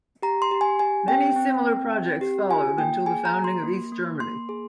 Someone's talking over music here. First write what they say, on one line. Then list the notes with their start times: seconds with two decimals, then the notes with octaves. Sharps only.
Many similar projects followed until the founding of East Germany.
0.22 G4 A#5
0.42 C6
0.51 G4
0.61 G#5
0.79 G4 G#5
1.08 C4 G5
1.36 C4
1.65 C4
1.93 C4
2.21 G4
2.49 F4 G#5
2.78 A#3 G5
3.06 G#4 G#5
3.25 A#5
3.35 A#3
3.44 C6
3.63 A#3
3.92 A#3
4.20 A#3 C6
4.49 G#4